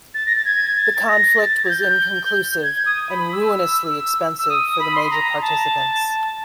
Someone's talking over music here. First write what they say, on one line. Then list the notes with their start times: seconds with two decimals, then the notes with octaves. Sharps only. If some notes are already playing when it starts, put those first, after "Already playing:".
The conflict was inconclusive and ruinously expensive for the major participants.
0.14 A6
0.26 A#6
0.35 A6
0.45 G#6
0.77 A6
1.08 A#6
1.39 A6
1.65 G#6
1.69 G6
2.63 G#6
2.86 D#6
3.10 B5
3.32 E6
4.39 E6
4.49 D#6
4.80 B5
4.95 C6
5.03 B5
5.11 A#5
5.42 A5